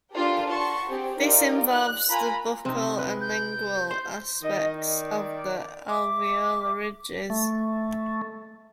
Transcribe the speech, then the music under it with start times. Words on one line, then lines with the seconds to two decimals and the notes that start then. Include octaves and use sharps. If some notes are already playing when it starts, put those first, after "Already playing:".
This involves the buccal and lingual aspects of the alveolar ridges.
0.13 D4 F4 G4 A4 A#4
0.50 F#5 A5 C6 C#6
0.88 C4 G4 G#4
1.18 D#4 F4 G4 A#4 D5 D#5
1.69 F#6
2.09 F4 A#4 G#5 A#5 B5
2.65 C3 C4 D#4
2.99 B4
3.21 G6
3.91 C5
4.43 D#3 D#5
4.81 D5
5.88 E5 D6
7.30 A3